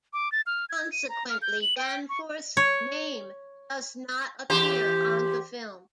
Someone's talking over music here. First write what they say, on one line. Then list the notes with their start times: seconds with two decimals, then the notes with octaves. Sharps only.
Consequently, Danforth's name does not appear on the film.
0.13 D6
0.32 A6
0.46 F6
0.69 G#6
0.92 D#7
1.09 A#5
1.30 F6
1.42 G6
1.62 F#7
1.77 G5
2.09 C#6
2.57 C#5
4.50 E2 G4 C5